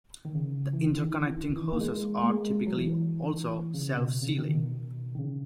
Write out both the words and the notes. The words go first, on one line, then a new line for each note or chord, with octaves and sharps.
The interconnecting hoses are typically also self-sealing.
D#3
C#3
E3
D#3
E3
D#3
E3
D#3
E3
A#3
G#3
A#3
G#3
F#3
E3
C#3
B2
C#3
D#3
B2
D#3
C#3